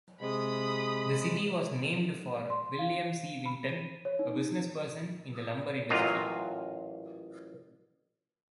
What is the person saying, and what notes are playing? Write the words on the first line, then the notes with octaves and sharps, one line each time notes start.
The city was named for William C. Winton, a businessperson in the lumber industry.
C3 G#3 B5 D#6
D5
C6
F5
B5
D#7
C#5
D#4
A1 A#2 F#3 F4 D#5 F5